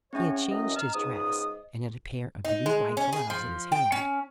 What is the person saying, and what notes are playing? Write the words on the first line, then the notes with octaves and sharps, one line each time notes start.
He had changed his dress, and had a pair of new white gloves in his hand.
C4 C#4 E4 G#4 C#5
F#2 E3 D#5
D#5 A#5 F6
C#2 G#2 D#6
D#4
G#3
C#4
G#4
F3
G5
C#4